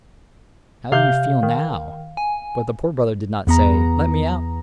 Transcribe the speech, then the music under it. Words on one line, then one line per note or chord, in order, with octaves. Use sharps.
How do you feel now?" But the Poor Brother did not say, "Let me out!
C3 F5 G6
D#3
G#5
E2 B3 A#5